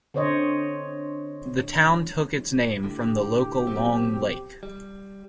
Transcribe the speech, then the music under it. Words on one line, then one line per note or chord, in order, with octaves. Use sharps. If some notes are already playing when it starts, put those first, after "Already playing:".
The town took its name from the local Long Lake.
D3 C4 C5 C#5 D#5
A2 D3 G4
B2 F#3 C4
G3